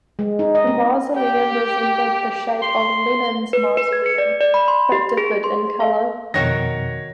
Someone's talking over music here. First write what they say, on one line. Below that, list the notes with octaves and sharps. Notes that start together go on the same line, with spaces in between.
The mausoleum resembled the shape of Lenin's Mausoleum but differed in color.
G#3
D#4
D#5
C4
G4 G5
C6
B4
B4
G#6
C#7
D5
D5
B5
C6
G4
G#4
C6
F5
F2 B2 D#3 F#4 A#4 C#5 A#6